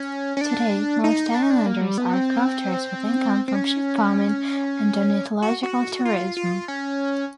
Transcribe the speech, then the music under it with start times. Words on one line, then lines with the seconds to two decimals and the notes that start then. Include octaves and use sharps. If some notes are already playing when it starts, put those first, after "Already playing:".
Today, most islanders are crofters with income from sheep farming and ornithological tourism.
Already playing: C#4
0.37 C#4
0.41 D4
1.04 D#4
1.35 D4
1.43 D#4
1.51 D4
1.66 A#3
1.82 G3
1.98 B3
2.13 C4
3.48 C4
3.55 C#4
5.42 F#4
5.63 F#4
6.05 F4
6.37 F4
6.68 C#4